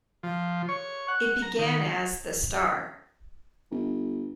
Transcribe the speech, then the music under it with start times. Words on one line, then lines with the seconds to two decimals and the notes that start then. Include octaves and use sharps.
It began as "The Star".
0.23 F3
0.69 C#5
1.08 F#5
1.42 A#5
1.59 D#3
3.70 G1